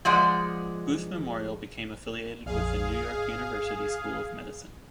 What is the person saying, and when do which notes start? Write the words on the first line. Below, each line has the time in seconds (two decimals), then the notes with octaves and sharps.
Booth Memorial became affiliated with the New York University School of Medicine.
0.05 F3 G#3 D5 F#5
2.46 A#1 F2 G#4 F5
3.13 G#1